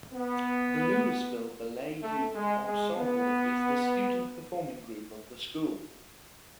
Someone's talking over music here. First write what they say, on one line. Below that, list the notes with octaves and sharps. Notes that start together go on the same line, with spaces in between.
The Louisville Ballet Youth Ensemble is the student performing group of the School.
B3
A3
G#3
G#3
B3